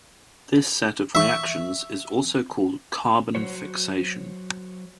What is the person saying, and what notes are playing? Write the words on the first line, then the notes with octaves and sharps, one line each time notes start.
This set of reactions is also called "carbon fixation".
E5 C#6
F#3 F#4 C5 C#5